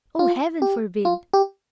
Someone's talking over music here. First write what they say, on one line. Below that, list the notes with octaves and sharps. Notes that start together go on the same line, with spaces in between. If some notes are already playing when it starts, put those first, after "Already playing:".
Oh, heaven forbid!
F4
G4
F4
G4